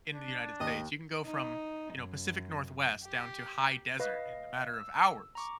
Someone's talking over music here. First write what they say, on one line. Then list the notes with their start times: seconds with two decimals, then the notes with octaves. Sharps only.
in the United States. You can go from, you know, Pacific Northwest down to high desert in a matter of hours.
0.14 D4
0.60 D#2 D#5
1.25 D#4
1.94 F#2
3.05 G4
4.00 B4 D#5 F5
4.74 E6
5.35 A#5 C#6 D6